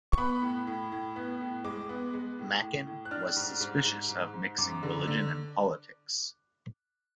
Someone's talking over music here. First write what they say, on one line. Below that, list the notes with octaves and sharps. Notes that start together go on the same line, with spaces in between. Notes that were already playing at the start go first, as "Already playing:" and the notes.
Machen was suspicious of mixing religion and politics.
C#6
B3 B5
A2
A2
A2
B3
A2
G#3 D6
B3
G#3
A2
A2
A2
F#6
D4 F6
G#2
G#2
G#2
G#2
G#2
F#2 D6
D3
D3